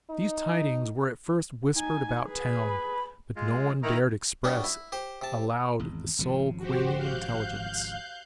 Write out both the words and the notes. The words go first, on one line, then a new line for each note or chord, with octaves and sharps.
These tidings were at first whispered about town; but no one dared express aloud the soul-quailing intelligence.
D#4
D#4 G#5
G#4 B4
B5
G#3 F4
D#3 E4 A#5
G3 B3 C#4 D4 F#4
E4
G4 C5
C3 A5
G#1 E2
G#1 C#3 F3
F#4 G4 C5
F5 F#6 G6